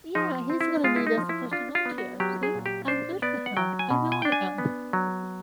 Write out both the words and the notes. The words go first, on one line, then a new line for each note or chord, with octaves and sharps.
Yeah, he's gonna need us to push the wheelchair. See? I'm good for him, I know I am,
F3 D#4
C4
E4
G#3 F4
E4
D#4
F3
E4
D4 F4
F4
B3
F#4
F#3 G4
G#4
A#2
G4
D4 C5
B3 D5
F#5
F#3 G5
G#5
B2
G#5
D4 G5
G#5
B3
F#3